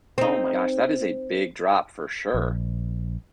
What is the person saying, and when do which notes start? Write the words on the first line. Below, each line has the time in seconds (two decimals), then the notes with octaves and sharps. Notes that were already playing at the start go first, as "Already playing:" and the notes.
Oh my gosh, that is a big drop for sure!
0.18 C4 D#4
2.34 A#1